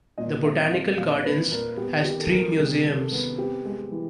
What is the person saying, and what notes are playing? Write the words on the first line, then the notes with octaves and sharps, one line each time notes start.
The Botanical Gardens has three museums.
A#2 D#5
C4 E5
C4 F5
A#2 F5
C4 B4
A#2 A#4
B3 G4
D#3 G4
A4
G3 A#4
C3 G#4
D#3
A4
B3
C4 G4
G#3
E3